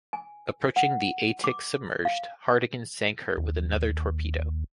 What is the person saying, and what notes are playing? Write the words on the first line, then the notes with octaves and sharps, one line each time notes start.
Approaching the "Atik" submerged, Hardegen sank her with another torpedo.
G#5
F#5
D6
F5
D#2